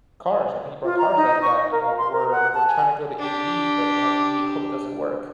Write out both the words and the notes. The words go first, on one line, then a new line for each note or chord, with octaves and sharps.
cars, I think he brought cars up that, you know, we're we're trying to go to EV, but, you know, EV, oh, doesn't work,
F4
A#5
D#4
C#6
D#5
A#4
F5
C6
A#4
F#5
A5
G#5
D4 G4